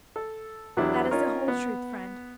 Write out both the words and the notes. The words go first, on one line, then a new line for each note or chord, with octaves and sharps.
That is the whole truth, friend.
A4
E2 F#3 B3 D4 E4 G4
C#4 D#4 F4 A#4
B3